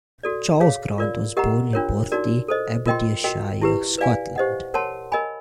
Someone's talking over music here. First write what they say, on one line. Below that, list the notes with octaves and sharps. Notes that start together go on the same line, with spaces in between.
Charles Grant was born in Bourtie, Aberdeenshire, Scotland.
F#4 A4 D5
G#4 C#5 F5
F4 A#4 D5
G4 A#4 D#5 F#5 A#5
D4 F4 A#4 C#5
D#4 F#4 A#4 D5
A4 C5 D#5
F4 A#4 D#5 G5 C6
F#4 A#4 D#5 G5
E4 G4 B4
B4 D5 F5 G#5
G4 C5 D#5 F#5
A#4 C#5 F#5 A5 C6
A#4 D#5 G#5 B5